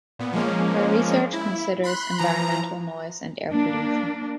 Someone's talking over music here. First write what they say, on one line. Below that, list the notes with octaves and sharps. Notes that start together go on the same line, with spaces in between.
Her research considers environmental noise and air pollution.
A#2 B3
F3 G#3 A#3 C#4
E4
B5 C6 F#6
E3 F3 A#5
A#3 D4